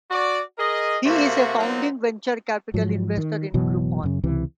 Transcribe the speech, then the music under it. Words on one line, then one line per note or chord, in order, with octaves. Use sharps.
He is a founding Venture Capital Investor in Groupon.
F#4 D5
G#4 A#4 D#5
C3 A3 A#3 F#4
F#3 A#3 C4 D#4 F4
G#2 F3 F#3
D#3
F#1 B2 E3 F#3
F#2 C#3
C#2 C3 E3